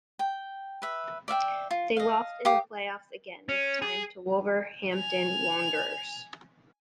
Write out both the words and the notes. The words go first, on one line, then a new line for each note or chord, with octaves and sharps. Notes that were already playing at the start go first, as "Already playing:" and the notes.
They lost in the play-offs again, this time to Wolverhampton Wanderers.
G5
B4 E5
D5 E5 F5 G5
F4
D#5 F5
G4 F5 D6 D#6
C#4
G#4
G#5 F7